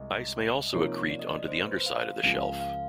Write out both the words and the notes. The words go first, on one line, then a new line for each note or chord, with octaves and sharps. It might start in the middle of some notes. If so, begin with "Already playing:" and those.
Ice may also accrete onto the underside of the shelf.
Already playing: C2 G#3 D#5
C3 F3 A#3 D#4 C#5
D5
D#5
D5
C5
B4
C5
F5
C#2 C#3 F3 G#3 F5
F5
F5